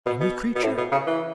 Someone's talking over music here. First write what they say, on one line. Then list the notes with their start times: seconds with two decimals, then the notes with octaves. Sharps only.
"Any creature?"
0.06 B2
0.21 B2
0.56 B2
0.64 A2
0.77 B2
0.91 C#3
1.07 E3